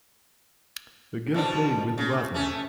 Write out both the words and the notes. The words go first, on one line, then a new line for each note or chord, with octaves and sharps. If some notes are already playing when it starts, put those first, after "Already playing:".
A girl playing with water.
B2 F3 D4
C#3
A3 C#4